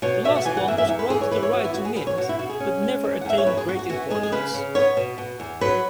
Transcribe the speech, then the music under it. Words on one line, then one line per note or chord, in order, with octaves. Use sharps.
The last one was granted the right to mint but never attained great importance.
B2 C#5
B2 E5
F#5
E3 G#5
F#5
F#2 E5
E5
E2
B4
E3 G#4
C#5
E3 B4
C#5
B3 F#4
E4
F#3 F#4
G#4
E2 B4
C#5
B2 F#4
E4
B2 F#4
G#4
C#4
G#3
E2
F#5
E2 E5
C#5
F#2 B4
G#4
F#2 F#4
F#4
E3 F#4
G#3 G#4
G#4
C#3 B4
C#3
B3 C#5
B2
B2
E2
F#3 B4